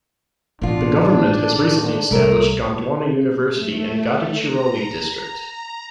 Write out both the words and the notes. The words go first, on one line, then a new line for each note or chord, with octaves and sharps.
The government has recently established Gondwana University in Gadhchiroli district.
A1 B2 D4 F4
D#3
C2 A3 A#4
A3
A#5